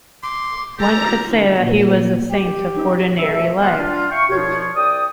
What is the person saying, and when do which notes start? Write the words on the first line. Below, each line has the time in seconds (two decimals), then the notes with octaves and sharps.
One could say that he was the saint of ordinary life.
0.23 C6 D6
0.78 G4 A4 A#5
1.58 A#2
2.31 G4
3.18 E5
3.60 G#3 A#3 B3 F4 F5 F#5
3.78 D4 F4
4.11 E5 F5 G5 C#6
4.30 C2 B2 F3 F4 C#5
4.75 C2 D5 G5 D#6